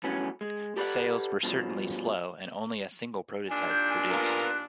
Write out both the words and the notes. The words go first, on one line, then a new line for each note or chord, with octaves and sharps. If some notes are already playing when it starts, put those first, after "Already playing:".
Sales were certainly slow, and only a single prototype produced.
G2 E3 F#3 A3 B3 C#4
G#3
G4 A4 B4 C#5 D5 F#5
G2 B2 F3
D#2 A#2 D4 G#5
G6
G#5
B3 F4 A#4
F#6